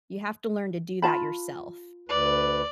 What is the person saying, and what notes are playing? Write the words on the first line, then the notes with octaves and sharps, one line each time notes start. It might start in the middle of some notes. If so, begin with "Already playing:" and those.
you have to learn to do that yourself
F4 A5 B5
D2 B4 D5